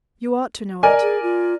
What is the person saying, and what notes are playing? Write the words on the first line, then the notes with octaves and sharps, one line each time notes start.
You ought to know it.
A#4 D5 D#5 G#5
G#4
F4